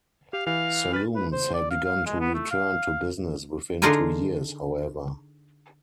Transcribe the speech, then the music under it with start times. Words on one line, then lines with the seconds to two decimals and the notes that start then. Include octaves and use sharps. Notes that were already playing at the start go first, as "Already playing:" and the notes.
Saloons had begun to return to business within two years, however.
0.33 G4 F5
0.47 E3 F5
0.93 B4 F6 A6
1.15 B4
1.32 C5
1.54 D5
1.70 F5
1.85 F5
2.06 G#3
2.20 B3
2.34 A3
2.51 F5
3.82 D3 D#4 F4 G#4 A#4 G#5